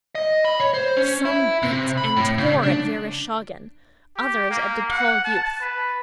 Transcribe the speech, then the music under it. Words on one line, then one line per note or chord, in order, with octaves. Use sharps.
Some beat and tore at Vereshchagin, others at the tall youth.
D#5
B5
C#5
C5
C#4
E4
C3
B5
A2
C#3
D4
G4
A#3
F#5
A5
B4